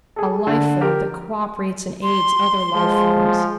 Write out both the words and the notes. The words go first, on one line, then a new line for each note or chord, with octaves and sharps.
A life form that cooperates and aids other life forms.
G#4 A4
D3
G4 A#4
C6
F3 G#3